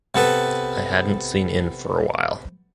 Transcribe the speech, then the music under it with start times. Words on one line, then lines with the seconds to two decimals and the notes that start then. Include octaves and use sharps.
I hadn’t seen in for a while.
0.15 C3 B3 A4 B4